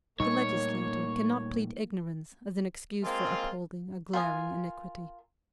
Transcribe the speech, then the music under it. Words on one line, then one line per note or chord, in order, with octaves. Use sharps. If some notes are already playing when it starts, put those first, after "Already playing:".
The legislator cannot plead ignorance as an excuse for upholding a glaring iniquity.
A#2 G3 A3 A#3 D#4 C#5
G#3 A#3 C4 F4
F4 A#4 G#5 D#6